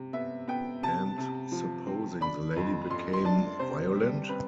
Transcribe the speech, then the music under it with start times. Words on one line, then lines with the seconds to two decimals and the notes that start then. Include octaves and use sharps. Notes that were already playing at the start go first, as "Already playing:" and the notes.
And supposing the lady became violent?
Already playing: C3
0.13 B3 E5
0.48 B3 G5
0.83 C3 A5
1.18 C3
1.52 F3
1.86 C4
2.21 D4 B5
2.56 F2
2.90 F2 C6
3.13 C6
3.25 D4 A5
3.59 C3 C5
3.95 G3
4.29 C4 B4